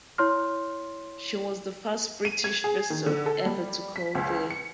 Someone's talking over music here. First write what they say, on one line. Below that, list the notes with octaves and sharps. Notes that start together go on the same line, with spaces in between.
She was the first British vessel ever to call there.
E4 C#5 C6 F6
D#7
G#6
G#4
D#3
D3
A4
G3
B6
C#2
C#7